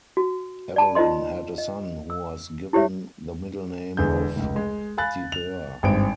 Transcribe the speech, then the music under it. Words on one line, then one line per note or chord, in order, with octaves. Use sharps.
Evelyn had a son who was given the middle name of De Vere.
F#4
D5 A5 B5
D#4 F4 C5 D#5 C6
D#5
E6
E4 G4 C5 C#5 E5
E1 E2 D3 G#4 G6
F1 C#2
G#3
F5 G#5 B5 F#6 A6
F7
G#1 G2 C4 D7